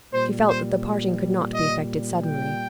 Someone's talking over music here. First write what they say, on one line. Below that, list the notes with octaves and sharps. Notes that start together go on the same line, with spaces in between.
She felt that the parting could not be effected suddenly.
A#2 G3 C5
C5
D#5
G5